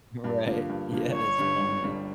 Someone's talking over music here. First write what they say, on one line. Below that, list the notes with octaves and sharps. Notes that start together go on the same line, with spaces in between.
Right. Yeah, that's funny, yeah.
G2
D3 F3 A#3
G2
D3 F3 A#3
G1 C#5
G2 D3 G3
G1
G2 D3 G3